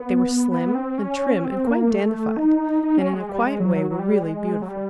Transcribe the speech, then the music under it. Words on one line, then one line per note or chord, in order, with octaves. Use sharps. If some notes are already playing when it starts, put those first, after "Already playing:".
They were slim and trim and quite dandified, and in a quiet way were really beautiful.
Already playing: B3
B3
C4
C#4
C4
A#3
A3
D#4
D#4
C#4
G#3
G3
G#3
F#3
F#3
F#3
G3
G#3
F#3
G3